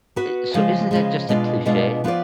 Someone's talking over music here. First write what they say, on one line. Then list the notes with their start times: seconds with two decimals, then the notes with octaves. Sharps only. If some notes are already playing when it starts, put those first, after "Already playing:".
Eh so, isn't that just a cliche?
0.16 B3 F#4 B4
0.54 C#3 F3 G#3
0.91 C#3 F3 G#3
1.29 B2 G#3 B3 D4 F4
1.66 B2 G#3 B3 D4 F4
2.04 F3 B3 F4 B4 D5